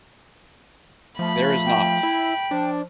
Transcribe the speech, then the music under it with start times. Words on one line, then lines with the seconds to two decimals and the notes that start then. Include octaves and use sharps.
There is not.
1.19 F3 A3 B5
1.66 G5
2.03 E4
2.51 F3 D4